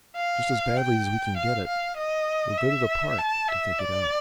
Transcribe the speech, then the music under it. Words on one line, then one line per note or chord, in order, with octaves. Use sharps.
Just as badly as we can get it. We'll go to the Park to think it out.'
F5
G5
F5
F5
D#5
E5
A5
E5
D5